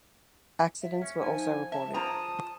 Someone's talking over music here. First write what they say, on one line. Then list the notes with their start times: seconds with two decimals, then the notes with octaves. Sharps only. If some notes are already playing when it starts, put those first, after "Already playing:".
Accidents were also reported.
0.82 E5
1.01 C#4
1.22 F3 D#4 G#5
1.72 E5 A5
1.94 F4 G#4 C5 D5 A#5 D#6